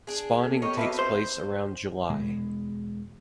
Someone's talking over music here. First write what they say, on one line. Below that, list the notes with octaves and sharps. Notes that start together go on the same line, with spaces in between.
Spawning takes place around July.
D4 G#4
B3 A4
A#3 G4 C#5 D#5
A#3 C4 F4 F#4 B4 D#5 E5
C5
E1 B2 G#3